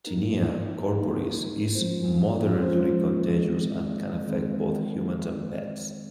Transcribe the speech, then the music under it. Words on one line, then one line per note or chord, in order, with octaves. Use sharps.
Tinea corporis is moderately contagious and can affect both humans and pets.
A#3 D#4 A#4
A#3 D#4 A#4
F3 G#3 C#4 F4 C5
F3 G#3 C#4 F4 C5
D#3 G#3 C4
D#3 G#3 C4